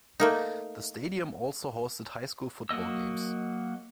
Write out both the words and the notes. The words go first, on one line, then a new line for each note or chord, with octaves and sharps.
The stadium also hosted high-school football games.
A3 A#3 D#4
F#3 A#3 D#5 E6